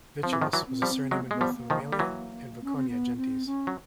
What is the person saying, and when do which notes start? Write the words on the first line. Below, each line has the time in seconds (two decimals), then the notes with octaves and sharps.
"Vitulus" was a surname in both the Mamilia and Voconia gentes.
0.23 F3 C4
0.33 E3
0.42 D#3 F3
0.53 E3 F#3
0.67 C4
0.82 F3 G3
0.89 C4
1.11 F#3 G#3 C4
1.19 B3
1.25 A#3
1.31 G#3 B3
1.41 F3 G3
1.56 A#3
1.70 D#3 F3
1.92 G3
1.99 E3 F#3
2.64 C#4
2.76 C4
2.89 B3
3.17 C4
3.46 C#4
3.67 F#3